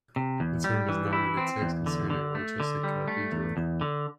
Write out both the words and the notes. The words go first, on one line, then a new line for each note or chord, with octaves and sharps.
The term does not mean a text concerning Rochester Cathedral.
C3
E2
G3
E3
E4
C4
E2
D3
D3
A3
D3
G3
A3
E2
E2
D3